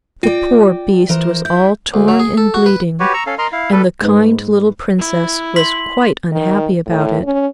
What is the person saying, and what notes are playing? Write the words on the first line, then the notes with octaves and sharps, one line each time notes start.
The poor beast was all torn and bleeding, and the kind little Princess was quite unhappy about it.
F4 D5 G5
E3 A#4 C5
E4 G6
D2
F#3
G#4
A4
F#4
B4
F#4 G4 B4 C#5
A#5 C#6 E6
C#4 A4 F5
A#4 D#5 A#5 C6
E4 F5
G3 A4 B4
G#2 B4
E4
C6 B6 F#7
D#3
A2
C#4